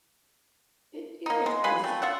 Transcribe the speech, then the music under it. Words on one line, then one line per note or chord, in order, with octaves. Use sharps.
it it gets things
A#3 D#4
G#3
B4 F5 G#5 B5
A3 C4
F4 E5 F#5